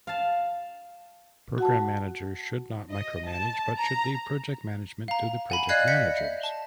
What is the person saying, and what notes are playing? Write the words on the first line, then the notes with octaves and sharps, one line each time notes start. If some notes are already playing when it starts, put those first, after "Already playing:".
Program managers should not micromanage, but should leave project management to the project managers.
F5 A5
F#4 F#5 A5
D#5
A5
A#5
F5 A#5
F#5 G#5 B5
D5 D#5 F5 F#6 G#6 C7
G6 A#6 B6 C#7
E5
A5